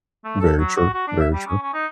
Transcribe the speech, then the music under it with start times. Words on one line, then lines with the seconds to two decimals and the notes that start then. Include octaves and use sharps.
Very true. Very true.
0.24 A3
0.40 A4
0.59 F#3
0.76 F#4
0.94 F#4
1.07 D4
1.20 E5
1.33 G3
1.47 C#4
1.62 C#4
1.73 D#4